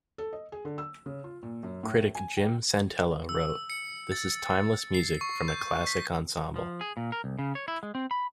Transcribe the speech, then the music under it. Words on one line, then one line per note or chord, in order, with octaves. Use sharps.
Critic Jim Santella wrote, This is timeless music from a classic ensemble.
A4
D#5
G#4
D3
E6
C#3
F4
A#2
F#2
A2
G#5
G5
E6
C#7
A6
C7
C#6
G6
B6
F3
G#4
A#2
A#4
C2
C#3
C#5
E4
G#3
C4
B5